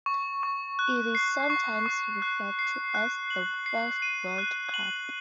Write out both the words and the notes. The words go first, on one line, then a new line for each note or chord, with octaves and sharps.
It is sometimes referred to as "The First World Cup".
C#6
C#6
F#6
C7
C#6
C#6
F#6
C7
F#6
F#7
C7
D#7
F#6
F#7